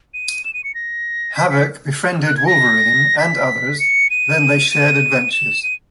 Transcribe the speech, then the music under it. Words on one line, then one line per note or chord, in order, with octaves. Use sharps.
Havok befriended Wolverine and others, then they shared adventures.
D#7
E7
D#7
C#7
A#6
B6
B6
F#6
G#6
A#6
B6
C#7
D#7
D#7
E7
D#7